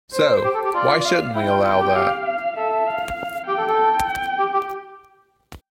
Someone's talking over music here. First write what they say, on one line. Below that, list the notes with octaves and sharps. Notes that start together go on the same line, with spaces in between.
So, why shouldn't we allow that?
C5
G4
A4
G4
F4 D5
F5
E4 G5
F4
F4 G5
G4
G4 F5
F5
A4 E5
F5
G4 G5
A4
A4
G5
G4
G4